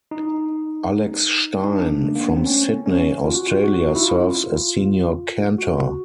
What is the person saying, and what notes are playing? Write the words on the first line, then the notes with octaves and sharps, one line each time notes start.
Alex Stein from Sydney Australia, serves as senior cantor.
D#4
D#4
D4
A3
A#3
B3
C4
C#4
C#4
F4
F#4
F4
F#4
D#4
E4
F4
F#4